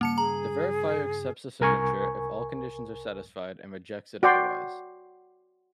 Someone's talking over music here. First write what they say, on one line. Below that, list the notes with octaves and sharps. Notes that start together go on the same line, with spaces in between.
The verifier accepts a signature if all conditions are satisfied and rejects it otherwise.
G2 C#3 G3 A#3 A5 C#7
G#4 A#5
C2 A#4 G#5 C#6
F#4 D5 G5 C6